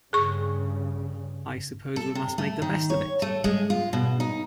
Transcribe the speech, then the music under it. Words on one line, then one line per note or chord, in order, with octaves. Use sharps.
I suppose we must make the best of it!
G2 C#3 G#4 C#6
A4
C3
A3
D#3
C#5
A3
G#3
F4
B2
D#4